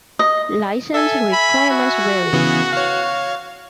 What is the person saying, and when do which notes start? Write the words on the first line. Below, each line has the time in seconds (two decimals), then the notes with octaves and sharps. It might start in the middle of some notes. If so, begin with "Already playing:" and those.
License requirements vary.
0.19 D#5
0.94 A4 E5 G#5
1.33 B5
1.71 F#4
2.33 C#3 E3 B3
2.73 C#5 F5